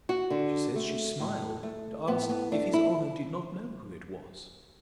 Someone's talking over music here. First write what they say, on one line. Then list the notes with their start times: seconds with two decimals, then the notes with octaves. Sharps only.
She says, she smiled, and asked, If his honour did not know who it was?
0.09 F#4
0.30 D3
0.75 A3
1.20 A2
1.63 A3
2.07 A2 B3
2.29 B3
2.52 A3 D4
2.73 E4